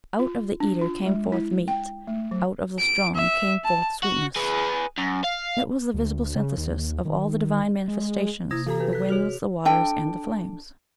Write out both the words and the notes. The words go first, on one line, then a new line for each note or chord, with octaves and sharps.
"Out of the eater came forth meat, out of the strong came forth sweetness." It was the visible synthesis of all the divine manifestations, the winds, the waters, and the flames.
F4
D4
F4
G#3
E4
G5
A3
F#3
D7
E5
A5
F#4
G#4 B4
F#2
F5
D2
C#3
D#2
D#3
G#3
C3 A#3 E4 D#6 G#6 A#6
E3 G4 A4 A#5
F#4 B4
F#6 B6
F#4 G#4 C#5 F6 F7
D4 A4 G5